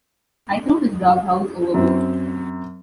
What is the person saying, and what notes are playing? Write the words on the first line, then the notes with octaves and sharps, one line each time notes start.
I threw his doghouse overboard.
F#2 C4